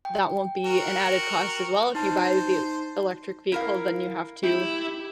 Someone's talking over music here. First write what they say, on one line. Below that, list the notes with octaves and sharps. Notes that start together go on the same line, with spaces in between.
that won't be an added cost as well, if you buy the electric vehicle, then you have to,
G5
F#4 A#4
D#4 C5 A5
E4 A#4 F5
E4 G4